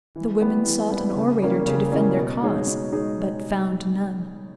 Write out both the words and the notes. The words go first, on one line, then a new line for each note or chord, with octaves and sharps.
The women sought an orator to defend their cause, but found none.
E3
G3 B3 E4
E3
G3 B3 E4
C#3
E3 G3 A#3 C#4
C#3
E3 G3 A#3 C#4
B2
G#3 D#4 G#4 C#5
B2
G#3 D#4 G#4 C#5